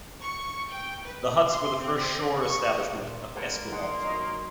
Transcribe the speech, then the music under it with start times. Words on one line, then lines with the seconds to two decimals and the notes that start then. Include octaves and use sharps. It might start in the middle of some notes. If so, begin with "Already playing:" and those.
The huts were the first shore establishment at Esquimalt.
0.22 C#6
0.69 G5
1.04 B4
1.48 C6
1.80 C4
2.42 C#6
2.93 A#2 D4 F4
3.36 G#3 A#3 B4 C5 F#5 A5
3.72 D#4 G#4 F#5 C6
4.04 F#3 D#4 D#5